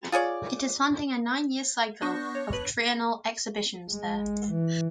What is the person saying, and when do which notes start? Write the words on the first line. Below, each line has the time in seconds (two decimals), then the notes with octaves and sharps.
It is funding a nine-year cycle of Triennial Exhibitions there.
0.12 F4 G#4 C#5 D5
2.02 B3 D4 C#6 G6 A#6
2.35 C#5
2.53 B4 F#7
3.91 G#3
4.52 E3